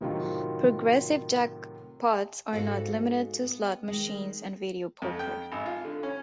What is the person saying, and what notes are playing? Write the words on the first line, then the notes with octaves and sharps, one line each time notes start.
Progressive jackpots are not limited to slot machines and video poker.
A2 C3 D#3 F#3 C4 F4
G#2 C#3 F#4 A4 F5
B3
D#3 G#3
F2
G5
G#1
F4
D3
C#4